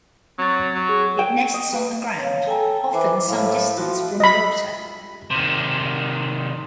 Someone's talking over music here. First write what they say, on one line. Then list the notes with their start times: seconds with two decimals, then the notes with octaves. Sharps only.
It nests on the ground, often some distance from water.
0.38 F#3 C4 A6
0.55 C#6
0.74 F#3
0.89 G#4
1.19 G5
1.54 D#5
1.73 B4
2.18 C#5 F5
2.47 A4 G5 G#5 A#5
2.93 E3 C5 D6
3.28 A2 F5
3.78 F3 F#4
4.20 D#5 B5
5.31 C3 D#3